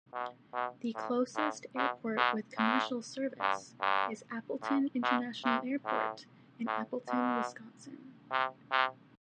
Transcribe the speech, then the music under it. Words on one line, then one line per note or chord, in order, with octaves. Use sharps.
The closest airport with commercial service is Appleton International Airport in Appleton, Wisconsin.
B2
B2
A2
A2
B2
B2
A2
G2
G2
A2
B2
C3
A2
A2
B2
C3
C3